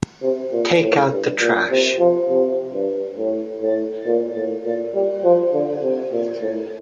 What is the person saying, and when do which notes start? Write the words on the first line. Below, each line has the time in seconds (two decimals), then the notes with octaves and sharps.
Take out the trash.
0.22 C3
0.52 A#2
0.82 A2
1.11 G2
1.40 A#2
1.70 C3
1.99 F3
2.29 C3
2.73 G2
3.17 A2
3.62 A2
4.06 A#2
4.35 A2
4.65 A#2
4.94 G3
5.24 F3
5.53 D3
5.82 C3
6.12 A#2
6.42 A2